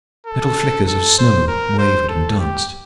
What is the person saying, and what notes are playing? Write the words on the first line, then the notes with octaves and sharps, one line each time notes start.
Little flickers of snow wavered and danced.
A4
A4
C5
A#4
C5
A4
G4